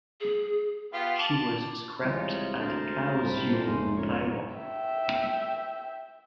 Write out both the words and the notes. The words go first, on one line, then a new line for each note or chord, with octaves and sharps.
She was scrapped at Kaohsiung, Taiwan.
G#4
B3 F4 G4
A5 D6
C2 E3 G#3 D#4 F4 C#5
D2 A#4 C5 A5
C2 A2 D#5 B5
F1 G#2 D#5 C6
C#2 A#4 C#5 C#6
E5 G5